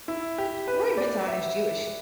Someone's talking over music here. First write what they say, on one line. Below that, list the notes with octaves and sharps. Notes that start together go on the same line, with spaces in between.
Roy Bittan is Jewish.
E4
G4
B4
D5
E5